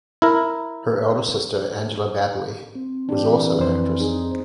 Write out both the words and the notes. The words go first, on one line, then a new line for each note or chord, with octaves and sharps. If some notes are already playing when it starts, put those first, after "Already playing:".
Her elder sister, Angela Baddeley, was also an actress.
E4 A#4
C4
E3 D4 G4
F2 C5
D#4 G#4